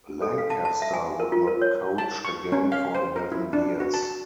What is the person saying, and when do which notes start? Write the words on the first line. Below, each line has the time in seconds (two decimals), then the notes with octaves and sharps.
Lancaster would not coach again for eleven years.
0.22 A4
0.38 F5
0.50 A5
0.65 A5
0.82 E5
0.94 G#5
1.20 A#4
1.32 F4
1.47 A#4
1.62 C#5
1.98 A5
2.25 C#6
2.52 C#4
2.72 F5
2.95 C5
3.16 A#4
3.32 E4
3.53 D4
3.80 F#4
3.94 A5